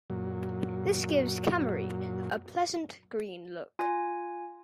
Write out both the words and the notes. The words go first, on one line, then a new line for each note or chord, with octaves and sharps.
This gives Cammeray a pleasant green look.
F#2 A#2 F#3
F4 G#5